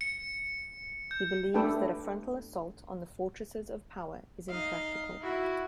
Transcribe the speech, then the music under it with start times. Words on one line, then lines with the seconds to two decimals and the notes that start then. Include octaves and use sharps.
He believes that a frontal assault on the fortresses of power is impractical.
0.01 C#7
1.11 G6
1.54 A3 D4 G4 A4 B4 G5
4.50 D#4 F5
5.22 E4 F#4